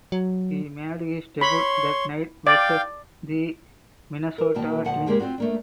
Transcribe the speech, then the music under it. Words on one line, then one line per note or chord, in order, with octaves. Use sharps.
He made his debut that night versus the Minnesota Twins.
F#3
C#5 B5 C6
D5 F5 G5
A#4
B2 D#3 A#3 A5
D2 A#2 F3 F#5 A5
F2 G#3 A#3 G4 G#4 A#4
C4 D4 F4 F#4
A3 A#3 D4